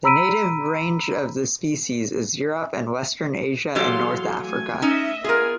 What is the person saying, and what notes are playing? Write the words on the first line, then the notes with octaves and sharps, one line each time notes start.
The native range of the species is Europe and Western Asia and North Africa.
A#5 B5 E6 B6 D7 D#7
E3 F#3 G4 A4 F5 C6
A3 G#5
C#4 D#4 D#5 E5
B3 F4 G#4 A#4 G#5